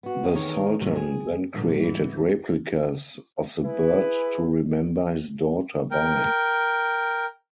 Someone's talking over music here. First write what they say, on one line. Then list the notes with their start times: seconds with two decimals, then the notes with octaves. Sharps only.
The Sultan then created replicas of the bird to remember his daughter by.
0.03 B3 F#4
0.34 E2 D#3 D#4 G#4 A#4 C#5
0.81 G#2 C3 D#3 F#3
0.96 G#4
1.53 E2 G2 A#2 D3 F3
1.79 G#2 E3
3.64 E4 G#4 B4
5.91 A#4 G5